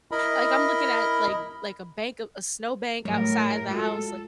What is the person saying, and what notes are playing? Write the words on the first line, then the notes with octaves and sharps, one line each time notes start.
like, I'm looking at, like like a bank of a snow bank outside the house, like
E4 A#4 D#5 B5
A2 F#3 G3 A#4 C#5
G#3 F4 F#4 A4